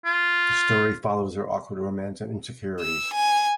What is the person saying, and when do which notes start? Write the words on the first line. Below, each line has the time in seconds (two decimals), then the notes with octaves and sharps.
The story follows their awkward romance and insecurities.
0.05 F4
2.80 E6
3.13 G#5